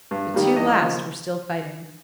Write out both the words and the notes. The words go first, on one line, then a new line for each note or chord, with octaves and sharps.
The two last were still fighting.
G2
D#3 G3 A#3
E2 D#5
C#3 F3 A#3